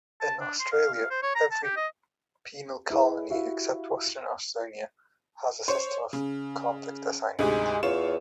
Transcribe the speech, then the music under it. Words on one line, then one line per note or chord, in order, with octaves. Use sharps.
In Australia, every penal colony except Western Australia had a system of convict assignment.
A5
D4
C6
F5
F5
C5
C#5
A#5
A5
G4
D#5
E4 G#4 B4 D#5
E4 F#4 G4 E5 F5
C5 C#5
C#3
D2 G#2 C3 G#3
E2 F4 C#5 E7